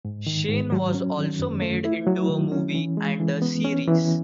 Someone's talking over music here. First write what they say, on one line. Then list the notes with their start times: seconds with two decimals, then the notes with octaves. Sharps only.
Shane was also made into a movie and a series.
0.05 G#2
0.27 D#3
0.49 G#2
0.72 F#3
0.94 C#4
1.17 D#3
1.39 F#2
1.62 A3
1.85 E4
2.07 F#3
2.29 D#3
2.52 C#4
2.75 E3
2.97 G#3
3.19 E3
3.42 B3
3.64 C#4
3.87 E3